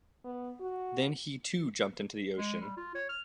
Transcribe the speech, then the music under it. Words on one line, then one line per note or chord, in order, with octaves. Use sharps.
Then he too jumped into the ocean.
B3
F#4
G#3
G3
F4
C#5
F6